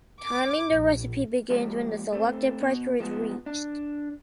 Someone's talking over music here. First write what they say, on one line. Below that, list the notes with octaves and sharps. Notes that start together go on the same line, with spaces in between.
Timing the recipe begins when the selected pressure is reached.
D6
A#1
F3 G3 G#3 A#3
A3 C4
B2
F3 G#3 B3
D4